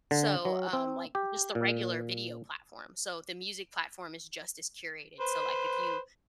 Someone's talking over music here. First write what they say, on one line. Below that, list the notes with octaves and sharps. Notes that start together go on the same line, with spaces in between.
so, um, like just the regular video platform. So, the music platform is just as curated. So, like, if you,
D3
F#3
C4
G4
A#2
B4 C5